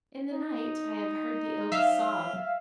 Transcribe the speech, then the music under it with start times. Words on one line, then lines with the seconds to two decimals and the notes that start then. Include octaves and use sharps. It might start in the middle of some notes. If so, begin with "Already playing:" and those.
In the night I have heard the oak sob.
0.32 D#4
1.72 F#3 E5 F5